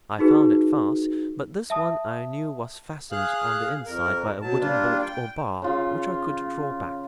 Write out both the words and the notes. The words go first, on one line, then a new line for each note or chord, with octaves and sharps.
I found it fast, but this one I knew was fastened on the inside by a wooden bolt or bar, which I could draw back.
D#4 F#4 G#4 B4
E5 A5 D#6
G#4 F5 F#6
F2 A#4
B2 F#3 A5
G3 A#3 D4 F4
G5
C#3 F4